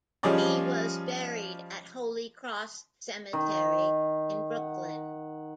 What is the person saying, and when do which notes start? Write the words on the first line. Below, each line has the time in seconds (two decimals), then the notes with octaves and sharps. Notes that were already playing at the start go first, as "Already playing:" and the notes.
He was buried at Holy Cross Cemetery in Brooklyn.
0.23 F3 G3 C#4 G#4 D5 D#5
3.33 D#3
4.56 F#5